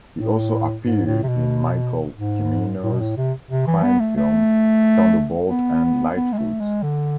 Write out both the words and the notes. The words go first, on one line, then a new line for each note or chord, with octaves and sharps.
He also appeared in Michael Cimino's crime film "Thunderbolt and Lightfoot".
A2
G#2
A2
C3
B2
G#2
A2
B2
A2
C3
C3
E3
B3
A3
A3
B3
B3
G#3
A3
G#3
D3